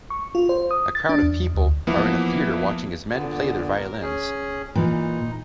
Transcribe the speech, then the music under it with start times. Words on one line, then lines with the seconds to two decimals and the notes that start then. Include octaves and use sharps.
A crowd of people are in a theater watching as men play their violins.
0.10 C#6
0.35 F4
0.49 C5
0.71 D#6
0.95 A6
1.09 D4
1.23 E2
1.55 D2
1.87 E3 F3 A#3 B3 E4
3.13 A#2 D3 B3
3.78 A#4
4.02 C#4 G#4
4.75 A#2 E3 D#4